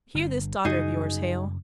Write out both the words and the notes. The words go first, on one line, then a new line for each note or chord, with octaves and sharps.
'Hear this daughter of yours, Hale.
G1 G2 D3
F#2 C#3 G3 D#4 F#4 G#4